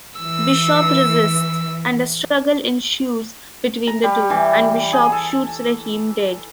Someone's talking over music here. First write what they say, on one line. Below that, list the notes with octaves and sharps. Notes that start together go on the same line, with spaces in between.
Bishop resists, and a struggle ensues between the two, and Bishop shoots Raheem dead.
E3 E6
A#5
G3
E3
G#4
A4